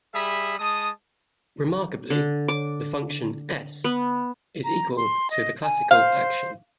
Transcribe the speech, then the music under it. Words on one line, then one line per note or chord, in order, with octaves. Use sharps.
Remarkably, the function "S" is equal to the classical action.
G3 G#4 E5 B5 D#6
G#3 A5 D#6
D3
D6
B3
A#5
C6
D#5
G#5
C5 F5